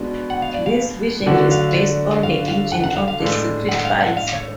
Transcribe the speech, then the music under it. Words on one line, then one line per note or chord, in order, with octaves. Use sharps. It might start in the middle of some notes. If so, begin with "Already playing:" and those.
This version is based on the engine of The Secret Files.
Already playing: B2 G#3 B3 D4 F#4
F#5
F5
D5
F5
D3 F#3 A3 D4 F#4 F#5
F5
D5
F5
F5
F#5
F#5
F5
F5
A2 G#3 D4
F#5
F5
F#5
F5
C#5